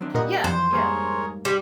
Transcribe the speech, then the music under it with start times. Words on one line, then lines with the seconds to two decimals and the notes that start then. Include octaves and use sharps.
Yeah, yeah.
0.01 F#3 C4 D4
0.14 A#2 G3 A#3 G4 A#4 D#5 F#5
0.44 F2 E3 F#3 C5
0.72 G#2 G3 A#3 G#4 A#4 C#5
1.45 G2 G3 G4 C5